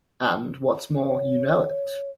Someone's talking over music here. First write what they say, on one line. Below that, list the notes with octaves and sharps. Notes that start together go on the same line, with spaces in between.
And, what's more, you know it.
C#5